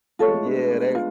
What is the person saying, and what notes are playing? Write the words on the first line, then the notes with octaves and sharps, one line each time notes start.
Yeah, they,
A3 F4 A4 C#5
G#3
A3
B3 D4
B3 D4
F4